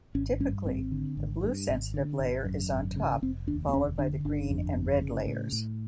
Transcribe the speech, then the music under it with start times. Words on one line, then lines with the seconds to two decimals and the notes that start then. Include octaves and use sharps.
Typically the blue-sensitive layer is on top, followed by the green and red layers.
0.15 G#1 C#4
0.40 G2 C#4
0.65 G#1 C4
0.92 D3
1.17 G#1
1.43 G2
1.69 G#1
1.94 D3
2.19 G#1
2.45 F#2
2.70 G#1
2.96 C#3
3.22 F1 C4
3.47 D#2 D4
3.69 C4
3.73 F1 C#4
3.98 D3 D4
4.25 G1 D4
4.50 F2
4.75 G1
5.01 C#3
5.26 A2
5.52 A2